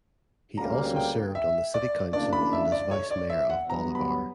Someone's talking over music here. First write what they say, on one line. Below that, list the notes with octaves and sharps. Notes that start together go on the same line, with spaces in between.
He also served on the city council and as Vice Mayor of Bolivar.
D2 C#3 G3 A#3 A#5
G5
E5
D5
D2 C#3 E3 A#3 D4 D5
B5
E5
D5
C#5
D5
E5
F#5
G2 F#3 B3 A#5
B5